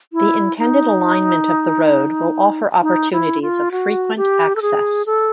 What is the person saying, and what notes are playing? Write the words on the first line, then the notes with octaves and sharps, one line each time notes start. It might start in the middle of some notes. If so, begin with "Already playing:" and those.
The intended alignment of the road will offer opportunities of frequent access.
E4
D#4
D#4
E4
F4
F#4
G4
A4
G#4
A4